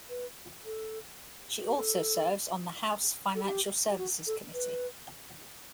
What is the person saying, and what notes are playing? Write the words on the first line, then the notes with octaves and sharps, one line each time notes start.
She also serves on the House Financial Services Committee.
B4
A4
F#4
G4
A4
A4
G4
G4
F#4
A4
B4